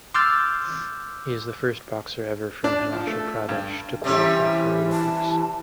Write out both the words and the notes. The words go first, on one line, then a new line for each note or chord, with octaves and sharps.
He is the first boxer ever from Himachal Pradesh to qualify for Olympics.
C6 D6 E6 F6 G6 A6
D4
F3
A3
G2
C3 E3 G3 C#4
A5